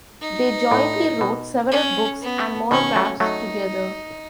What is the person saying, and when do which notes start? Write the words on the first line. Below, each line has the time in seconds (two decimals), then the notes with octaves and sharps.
They jointly wrote several books and monographs together.
0.21 D#4
0.71 A2
1.21 B2
1.72 C#4
2.21 B3
2.71 B2 D#3 C#4
2.96 F#3 A3
3.20 F#3 A3 D#4